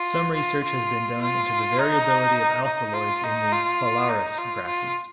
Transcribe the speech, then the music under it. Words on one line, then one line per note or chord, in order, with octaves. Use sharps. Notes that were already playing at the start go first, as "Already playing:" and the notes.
Some research has been done into the variability of alkaloids in the "Phalaris" grasses.
Already playing: F4
F4
F4
F4
D#4
D#4
F4
D#4
F4
D#4
F4
F4